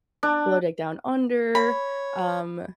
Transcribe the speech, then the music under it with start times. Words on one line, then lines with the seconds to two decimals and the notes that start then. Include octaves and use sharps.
Below Deck Down Under, um,
0.23 D4
1.55 C#5 B5